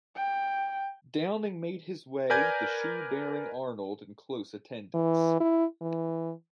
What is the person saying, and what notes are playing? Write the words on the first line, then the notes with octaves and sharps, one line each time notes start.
Downing made his way, the shoe-bearing Arnold in close attendance.
G5
A#4 B4 D5 G#5 G6 G#6
E3
E4
E3